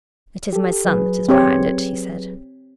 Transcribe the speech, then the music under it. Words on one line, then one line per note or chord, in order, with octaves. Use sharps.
"It is my son that is behind it," he said.
G4 A4
F#3 G#4 B4
C4 G4 C#5